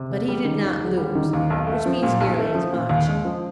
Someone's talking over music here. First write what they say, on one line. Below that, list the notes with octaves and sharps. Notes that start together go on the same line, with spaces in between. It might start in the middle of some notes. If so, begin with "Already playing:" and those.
But he did not lose; which means nearly as much.
Already playing: C3
E1
G3
D#3
D#2
E1
G3
D#3
D#2
B1
A3
F3
A#2
B1
A3
F3
A#2
D#2
G#3
F3